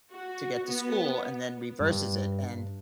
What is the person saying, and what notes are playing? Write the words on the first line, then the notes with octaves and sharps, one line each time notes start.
to get to school and then reverses it and
F#4
B3
G2